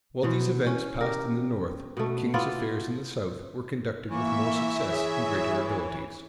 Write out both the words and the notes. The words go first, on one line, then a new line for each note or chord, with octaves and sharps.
While these events passed in the north, the king's affairs in the south were conducted with more success and greater abilities.
B2 E3 C5
C#4
G4 A#4
B2 A3
B3 E4 F4 D5
E3 A#3 E5 C#6
G#4 C#5